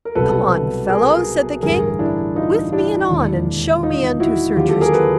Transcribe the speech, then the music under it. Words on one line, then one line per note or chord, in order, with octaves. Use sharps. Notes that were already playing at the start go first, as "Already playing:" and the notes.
Come on, fellow, said the king, with me anon and show me unto Sir Tristram.
A#4
C2 B2 F#3 A4 B4
G#4 A#4
A1 G2 D3 G#4 A#4
D4 E4
D#4 F4
D4 E4
E1 D#2 D3
D#4 F4
E4 F#4
D#2 D3 F#3 F4 G4
G4 A4
G#4 A#4
A4 B4